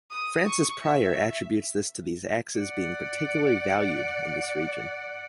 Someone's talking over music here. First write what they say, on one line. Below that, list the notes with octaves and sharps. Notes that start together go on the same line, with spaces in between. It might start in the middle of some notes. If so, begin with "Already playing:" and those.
Francis Pryor attributes this to these axes being particularly valued in this region.
D#6
C#6
E5
D5 F#5